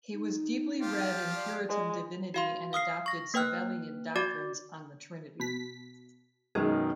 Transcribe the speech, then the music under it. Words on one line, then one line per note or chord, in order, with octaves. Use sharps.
He was deeply read in Puritan divinity, and adopted Sabellian doctrines on the Trinity.
D#4
F3 F4 G4
D5
G#3
F#4 F5 C6
F5 D#6 F6 C7
C#6 A#6
A#3 B4 G5 F6 F#6
F#4 D5 D6 A6
B2 B6
F#2 B2 D#3 G#3